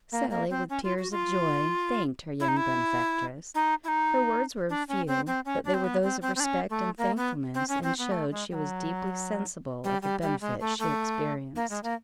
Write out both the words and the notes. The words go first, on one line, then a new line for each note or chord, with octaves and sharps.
Sally, with tears of joy, thanked her young benefactress; her words were few, but they were those of respect and thankfulness, and showed she was deeply sensible of the benefit she experienced.
A#3
A#3
C4
C#4
F4
F#4
F4
E4
D#4
E4
D#4
E4
D#4
D4
C#4
C4
C4
C#4
D4
C4
B3
C4
C4
C4
D4
C#4
A3
A#3
B3
C4
C#4
C4
B3
A3
G#3
G3
F#3
G3
G3
G3
G#3
A3
A3
A#3
G#3
A#3